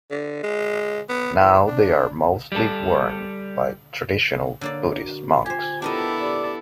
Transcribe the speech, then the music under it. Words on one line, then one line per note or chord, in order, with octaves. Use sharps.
Now they are mostly worn by traditional Buddhist monks.
D3
G#3
B3
E3
D4
G3 A4
D3 A#3 C#5 D5
F#4
F4 G4 C5 G#5
B3 D4 E4 G4 A4 A#4 D#5
G4 D5